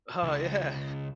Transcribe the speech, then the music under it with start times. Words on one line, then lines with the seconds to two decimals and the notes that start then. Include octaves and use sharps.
Oh yeah,
0.23 C#2